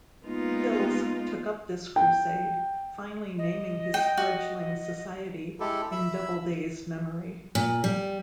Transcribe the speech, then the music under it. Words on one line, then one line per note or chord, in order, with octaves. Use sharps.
Hills took up this crusade, finally naming his fledgling society in Doubleday's memory.
G#3 A#3 B3 D#4 F4
G5
D#5
G5
F#4
G#3 E4 G4 A4
E5 B5 E6
A#2
G3